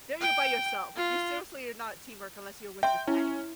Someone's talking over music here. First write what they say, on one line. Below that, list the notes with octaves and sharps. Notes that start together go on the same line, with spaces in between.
There you're by yourself, you seriously are not teamwork unless you're with your caddy.
G5
F4
E5 G5 C6
C#4 E4